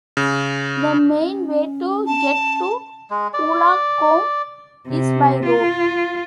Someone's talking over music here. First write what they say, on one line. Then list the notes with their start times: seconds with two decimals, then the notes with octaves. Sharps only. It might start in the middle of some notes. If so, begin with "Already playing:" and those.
The main way to get to Woolacombe is by road.
0.17 C#3
1.19 C#4
2.06 A5
3.10 G#3
3.34 D5
4.88 C3
5.46 F4